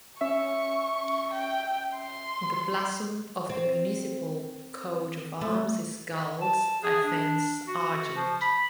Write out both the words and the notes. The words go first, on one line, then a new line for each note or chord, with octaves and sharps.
The blazon of the municipal coat of arms is Gules, a Fence Argent.
C#4 E5 C#6
G5
C6
C4
A3
A5
G#4
D4
F#4
F3
B5